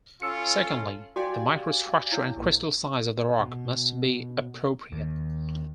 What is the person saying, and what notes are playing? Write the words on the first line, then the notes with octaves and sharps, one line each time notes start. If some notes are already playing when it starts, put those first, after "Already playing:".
Secondly, the microstructure and crystal size of the rock must be appropriate.
C#4 F4 A4 E6 C#7
F#4 G4 D5 F5 G5 G#5
E4 C#5
B1 A#2
B2
D#2